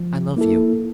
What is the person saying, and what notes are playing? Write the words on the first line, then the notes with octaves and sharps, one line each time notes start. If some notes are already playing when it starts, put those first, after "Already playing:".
"I love you!"
Already playing: F3
A#3 E4 A4